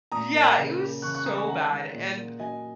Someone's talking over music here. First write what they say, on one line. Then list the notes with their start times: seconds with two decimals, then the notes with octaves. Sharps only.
Yeah, it was so bad, and,
0.12 A#2 A#5 D#6
0.35 A#3
0.57 C#3
0.81 A#3
1.02 C#3 C#6 F#6
1.15 C#6 F#6
1.26 G#3 A#5 D#6
1.37 G#5 C#6
1.48 D#3 F#5 A#5
1.71 G#3
1.93 A#2
2.17 A#3
2.40 F#3 D#5 G#5